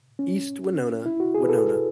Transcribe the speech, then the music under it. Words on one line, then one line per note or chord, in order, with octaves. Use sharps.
East Winona - Winona.
C#4
E4
F#4
G#4
B4
A4